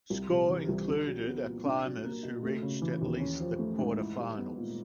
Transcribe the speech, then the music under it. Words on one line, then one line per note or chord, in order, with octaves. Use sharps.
Score Included are climbers who reached at least the quarterfinals.
C2
C3
E3
C2
D4
F#3
B3
A#2
D4
F#3
A#3
B2
A3
C#3
E3
D#2
C#4
F3
A3
G#2
E4
G3
B3
A#2